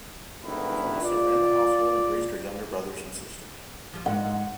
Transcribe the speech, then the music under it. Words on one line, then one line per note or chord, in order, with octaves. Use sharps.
Felisa ran the household and raised her younger brothers and sisters.
F#1 D2 G2 D#3 E4 B4
F4 D5
F3 G3
G#2 F#5